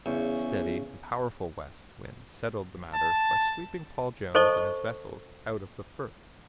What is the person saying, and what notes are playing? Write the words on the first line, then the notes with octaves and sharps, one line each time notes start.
A steady and powerful west wind settled the matter by sweeping Paul Jones and his vessels out of the Firth.
E2 C#3
A5
A4 C5 D#5 A5 C#6